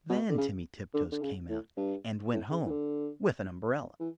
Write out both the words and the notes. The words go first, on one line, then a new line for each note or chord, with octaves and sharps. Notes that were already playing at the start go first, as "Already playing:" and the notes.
Then Timmy Tiptoes came out, and went home with an umbrella.
B2
D3
C#3
D3
D3
C#3
A2
G2
A2
C#3
E3
D3
E3